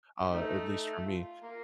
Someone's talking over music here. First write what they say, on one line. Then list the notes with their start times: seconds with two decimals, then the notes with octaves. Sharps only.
uh, at least for me,
0.19 G3
0.32 A3 D#4
1.04 F4
1.41 A#3